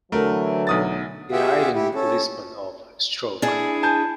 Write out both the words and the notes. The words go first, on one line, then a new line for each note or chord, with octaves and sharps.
He died in Lisbon, of a stroke.
D3 E3 F#3 A3 A#4
B1 D#6 A6
F4 G4 G#4 E5 F#5
E4 G4
C#4 A4
D4 E4 G#4
G#5 A5 G6